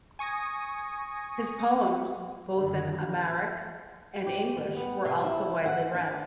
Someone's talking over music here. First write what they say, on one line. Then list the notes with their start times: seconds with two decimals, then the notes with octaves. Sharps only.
His poems, both in Amharic and English, were also widely read.
0.19 G#5 C#6 D#6 A#6
2.57 F#2 A#2 D3 D#3
4.27 G4
4.56 G3
4.77 B3
5.05 C3
5.24 E4
5.66 F#5
5.94 D4